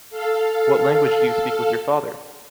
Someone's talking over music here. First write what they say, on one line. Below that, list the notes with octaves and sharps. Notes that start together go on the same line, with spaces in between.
What language do you speak with your father?
A4 F5